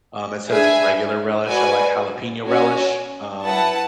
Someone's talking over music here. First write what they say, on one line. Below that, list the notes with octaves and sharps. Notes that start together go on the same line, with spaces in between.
um, instead of just regular relish- I like jalapeño relish- um,
D4 G#4 B4 E5 G#5
F#4 B4 D5 G#5
C#4 F#4 C#5 G#5
E4 B4 F#5 A5